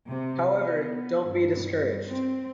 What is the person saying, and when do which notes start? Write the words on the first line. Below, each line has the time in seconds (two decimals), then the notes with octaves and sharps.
However, don’t be discouraged.
0.10 C3
0.56 B3
1.25 G2
2.10 C4